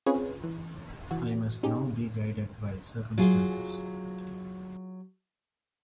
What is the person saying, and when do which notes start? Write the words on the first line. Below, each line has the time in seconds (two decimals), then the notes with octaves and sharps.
I must now be guided by circumstances.
0.06 C4 C#4 F4 G#4 B4 C#5
0.44 E3
1.11 E3 F#4
1.63 C#4 D#4 G4 G#4
3.18 F#3 F4 G#4